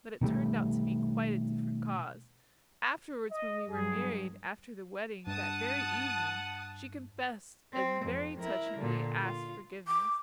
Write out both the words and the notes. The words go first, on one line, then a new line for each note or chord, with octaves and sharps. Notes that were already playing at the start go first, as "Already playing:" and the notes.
But it turned out to be quite a different cause. Afterwards, when we were married, after the wedding, that very evening, she confessed, and very touchingly asked forgiveness.
B2 D#3 G3 A3
D#5
G2 F#3 G#4
G2 F#5 A5 D#6
C4
F2
E4 A#4
A#2 D3
F4
D6